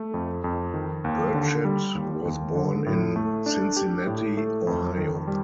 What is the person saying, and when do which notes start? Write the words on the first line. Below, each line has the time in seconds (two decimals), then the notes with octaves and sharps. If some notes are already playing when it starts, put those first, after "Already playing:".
Burchett was born in Cincinnati, Ohio.
Already playing: A3
0.14 F2
0.44 F2
0.74 D#3
1.04 D#2
1.34 D3
1.65 G3
1.95 D#2
2.25 D#2
2.55 D3
2.86 A2
3.16 A3
3.46 D4
3.77 G4
4.07 A2
4.37 A3
4.67 F2
4.97 D#3
5.27 G3